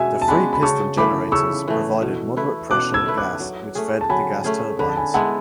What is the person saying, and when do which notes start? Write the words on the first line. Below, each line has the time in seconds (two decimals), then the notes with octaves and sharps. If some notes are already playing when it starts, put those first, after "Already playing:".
The free piston generators provided moderate pressure gas which fed the gas turbines.
Already playing: B2 G#3 D4 F#4 E5 G#5
0.22 A5
0.28 G#3 D4 F#4 G#5 B5
0.53 B5
0.62 C#3 A5 C#6
0.97 E3 A3 B5 D6
1.32 C#3 C#6 E6
1.68 E3 A3
2.02 B2
2.37 A3 E4 B4
2.71 B2 D6 F#6
2.94 E6 G#6
3.06 A3 E4 B4
3.17 D6 F#6
3.40 F#3
3.75 A3 C#4 G#4
4.01 A5
4.10 F#3 G#5 B5
4.44 A3 C#4 G#4
4.79 D3 B5
4.89 A5
4.97 G#5 B5
5.14 G#3 B3 E4 F#5 A5